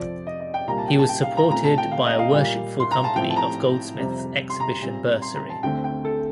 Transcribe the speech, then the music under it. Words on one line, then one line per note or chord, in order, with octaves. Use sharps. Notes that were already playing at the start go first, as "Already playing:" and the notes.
He was supported by a Worshipful Company of Goldsmiths exhibition bursary.
Already playing: F2 C3 F3 C4 D5
D#5
D#5
G5
C2 A#2 G3 A#3 A#5
A5
G5
A5
G5
F5
A#5
A#2 A3 C4 A#5
A5
G5
F5
D#5
F5
A#2 G3 A#3
C6
A#5
A5
A2 F3 C4 G5
A5
A#5
F2 C3 G3
C6
A#5
A#2 G3 C4
C6
A#5
A5
D2 D3 A3 C4 G5
G5
A4